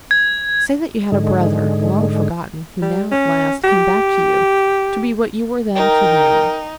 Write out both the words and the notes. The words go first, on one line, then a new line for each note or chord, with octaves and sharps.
Say that you had a brother, long forgotten, who now at last came back to you to be what you were then to him.
G#6
G#2 D3 G#3
G3
C#4
G4
D#4 A#4 G5